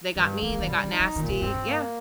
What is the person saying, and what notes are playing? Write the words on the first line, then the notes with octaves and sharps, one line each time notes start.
They got mean, they got nasty yeah.
G2 D#3
D#3 A#3
F3
D#3
C3 G3
D#3
D#4
F3
A#2 D#3
C3
D3
G2 C4
G2
A#3